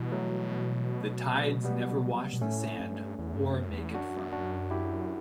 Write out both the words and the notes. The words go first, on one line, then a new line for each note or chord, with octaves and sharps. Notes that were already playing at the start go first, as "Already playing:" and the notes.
The tides never wash the sand or make it firm.
Already playing: B2 E3 G3
F#3 A3
G3 B3
B2
A2 A3 C#4
G2
E2
G2
F#2
E2
F#2 D4 F#4
D4 F#4
E4 G4